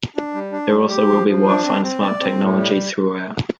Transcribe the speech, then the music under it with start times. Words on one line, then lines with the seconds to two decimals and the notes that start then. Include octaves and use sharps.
There also will be Wi-Fi and smart technology throughout.
0.16 D4
0.34 G3
0.52 D4
0.71 G3
0.89 G4
1.09 F3
1.27 F3
1.46 D4
1.64 C4
1.83 C4
2.01 D5
2.20 C4
2.39 A2
2.57 G3